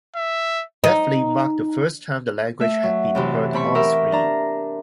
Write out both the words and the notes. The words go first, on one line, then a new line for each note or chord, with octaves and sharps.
That film marked the first time the language had been heard on screen.
E5
D#4
A3 E5
F#3
F#2 C3 E3
B2 C4 B5 C#6
G4 A#4 E5
D4 A#5